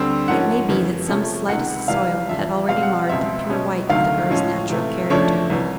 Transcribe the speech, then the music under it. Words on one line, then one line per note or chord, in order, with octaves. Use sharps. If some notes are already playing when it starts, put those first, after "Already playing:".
It may be that some slightest soil had already marred the pure white of the girl's natural character.
Already playing: D2 D3 G3 C4
G#2 F3 A#3 C#4 F#5
F2 C#3 E3
C3 F3 A3 C#4
C#2 C3 D#3 F#5
C2 C3 E3 G3 F5
E2 C#3 F3 E5
B2 G3 C4 F5
F#5
C#2 B2 G#3 C4 E5
B2 G#3 C#4
D2 C3 D#3 F#3 A3 F5
A2 F3 G#3 C#4
C3 E3 A3
F2 C#3 F3 A3 D4 C#5
C2 C3 E3